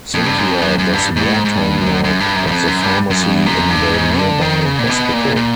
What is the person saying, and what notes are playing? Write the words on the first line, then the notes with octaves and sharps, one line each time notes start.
Cynthia does war-time work at the pharmacy in the nearby hospital.
F2
G2
F#2
F2
F#2
F#2
G2
G#2
A2
G#2
G#2
G2
F#2
F#2
G2
F#2
E2
F2
F#2
G2
F#2
F2
E2
F#2
G2
G#2
D3
D#3
C#3
A#2
B2
A#2
A#2